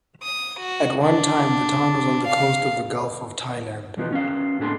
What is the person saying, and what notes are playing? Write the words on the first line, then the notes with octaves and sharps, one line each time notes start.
At one time the town was on the coast of the Gulf of Thailand.
D#6
F#4
D4
F5
B1 E2 F3 B3 D#4 F#4
B3 C#4 F#4 F5
A2 A#3 D4 A4 F#5 C6